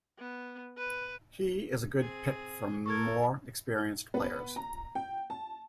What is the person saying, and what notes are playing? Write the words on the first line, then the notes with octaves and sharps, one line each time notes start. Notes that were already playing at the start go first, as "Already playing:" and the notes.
He is a good pick for more experienced players.
B3
B4
C4 G#4
A4 A#4 C#6 G#6
B3
A#5
G5
A5